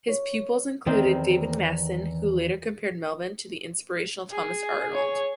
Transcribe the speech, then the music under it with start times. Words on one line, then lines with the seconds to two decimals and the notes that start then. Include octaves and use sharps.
His pupils included David Masson who later compared Melvin to the inspirational Thomas Arnold.
0.08 C#5
0.86 E2 D#3 C4
4.31 G#4
4.94 C#5